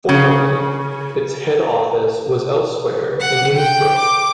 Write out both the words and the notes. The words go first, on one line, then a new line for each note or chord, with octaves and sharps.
Formerly its head office was elsewhere in Innsbruck.
C#3
F#5
G5
D6